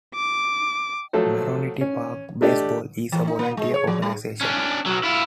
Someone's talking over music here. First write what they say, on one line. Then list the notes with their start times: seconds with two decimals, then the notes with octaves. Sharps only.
Merrionette Park Baseball is a volunteer organization.
0.15 D6
1.13 F3 F#3 A3 A4 C5
1.81 C#4
2.42 A3 D4 G4 D5 D#5
3.12 E3
3.27 D#4
3.39 A#3
3.57 G#3
3.74 C#5
3.87 F3
4.02 G3
4.41 C#4 D4
4.86 B1 F#3
5.03 E4 F4